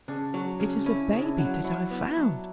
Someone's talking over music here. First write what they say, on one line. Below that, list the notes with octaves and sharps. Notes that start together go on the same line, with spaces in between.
"It is a baby that I found."
C#3 D4
F#3
C#3
C#4 E4
C#3
D4 E4
F#3
F#3 E4
B3
F#3